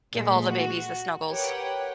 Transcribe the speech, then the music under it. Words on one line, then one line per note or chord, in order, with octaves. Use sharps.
Give all the babies the snuggles.
A#2 G#3 A3
F#4
G4 A#4 B4 C#5 F#5 G5